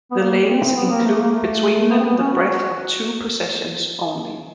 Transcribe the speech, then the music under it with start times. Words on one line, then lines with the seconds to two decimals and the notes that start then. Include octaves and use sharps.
The lanes include between them the breadth of two possessions only.
0.11 B3
0.19 A#3
0.48 C4
0.66 C4
0.76 B3
0.90 A#3
1.05 A3
1.21 A#3
1.32 A3
1.90 B3
1.99 C4
2.04 B3
2.19 C#4
2.32 F#4